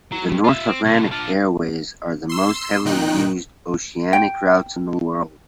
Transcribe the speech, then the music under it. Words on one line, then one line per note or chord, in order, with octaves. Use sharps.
The North Atlantic airways are the most heavily used oceanic routes in the world.
F#3
G2
F4 E5
C4
B1 D3
D4 F4
C6 E6
A#2 D#3 D#4 G5 F#6
G5